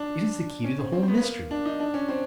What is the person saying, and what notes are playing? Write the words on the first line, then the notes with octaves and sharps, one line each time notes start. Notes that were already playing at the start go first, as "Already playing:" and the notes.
It is the key to the whole mystery.
Already playing: D4
C#4
C4
C4
C4
B3
A#3
D4
D#4
D4
C#4
C4